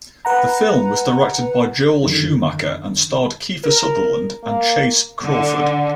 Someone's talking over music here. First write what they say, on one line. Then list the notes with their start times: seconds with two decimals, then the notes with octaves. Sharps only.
The film was directed by Joel Schumacher and starred Kiefer Sutherland and Chace Crawford.
0.25 B4 F#5 A#5
2.03 F#2 D3 D#3
3.64 A#4
4.43 A#3
5.22 D3